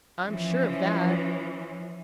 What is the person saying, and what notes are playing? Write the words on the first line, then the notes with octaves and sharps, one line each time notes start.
I'm sure of that.
E3 F3 C#4